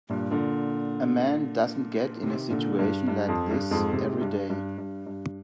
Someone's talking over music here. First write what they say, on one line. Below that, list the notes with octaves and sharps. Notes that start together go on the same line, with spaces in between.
A man doesn't get in a situation like this every day.
G2 A#2
A#2 D3
C3 D#3
A#2 D3
G2
G2
F2
G2
F2 G#2
G#2 C3
G2
G2
G2
G2